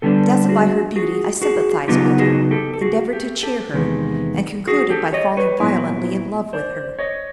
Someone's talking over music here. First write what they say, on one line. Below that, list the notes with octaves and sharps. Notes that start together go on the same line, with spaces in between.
Dazzled by her beauty, I sympathised with her, endeavoured to cheer her, and concluded by falling violently in love with her.
D3 G3 B3 D4 G4 A4
F#4 G#4
F#4 G#4
F#4 G#4
C#3 F#3 B3 D#4 F4 G4
F#4 G#4
G4 A4
A4
F#4 G#4
G4 A4
G4 A4
E2 C3 D#3 G#3 B3
F#4 G#4
G4 A4
C#5 D#5
B4 C#5
A#2 F#3 B3 E4
C5 D5
C#5 D#5